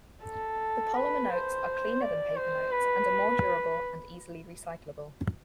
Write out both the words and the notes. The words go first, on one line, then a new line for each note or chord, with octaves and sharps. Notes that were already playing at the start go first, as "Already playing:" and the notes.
The polymer notes are cleaner than paper notes, are more durable and easily recyclable.
A4
B4
C5
D5
C5
B4